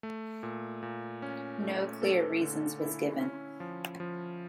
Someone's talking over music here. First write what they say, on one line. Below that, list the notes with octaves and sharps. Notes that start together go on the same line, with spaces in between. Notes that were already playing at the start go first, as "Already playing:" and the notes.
No clear reasons was given.
A3
A#2
A#2
C#4
A3
A4
D3
E4
C#4
F3
F3